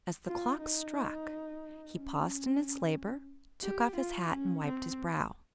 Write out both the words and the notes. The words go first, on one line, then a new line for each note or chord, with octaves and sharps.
As the clock struck, he paused in his labor, took off his hat, and wiped his brow.
F4
D#4
C#4
G4
F4
C#4
C4